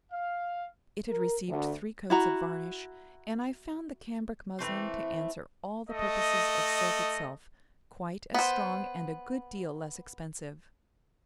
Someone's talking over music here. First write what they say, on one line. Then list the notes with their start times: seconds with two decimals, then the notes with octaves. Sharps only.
It had received three coats of varnish, and I found the cambric muslin to answer all the purposes of silk itself, quite as strong and a good deal less expensive.
0.12 F5
1.10 A#4
1.48 D2
2.10 E4 F#4 A#5
4.59 E3 A3 C4
5.88 A3 D#5
8.34 B3 C5